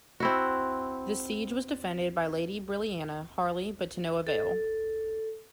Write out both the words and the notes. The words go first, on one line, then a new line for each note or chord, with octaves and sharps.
This siege was defended by Lady Brilliana Harley but to no avail.
C4 E4 F#4
A4